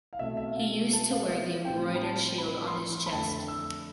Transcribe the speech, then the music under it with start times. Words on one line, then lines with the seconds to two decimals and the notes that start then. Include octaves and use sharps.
He used to wear the embroidered shield on his chest.
0.13 F5
0.19 B2 A3 C4 E5
0.37 E5
0.56 F5
0.93 A5
1.10 F5
1.24 E5
1.28 F5
1.65 A2 G3 C4 G5
1.96 B5
2.03 A5
2.38 B5
2.67 C6
2.75 B5
3.06 B5
3.12 F2 D3 A3 A5
3.48 E6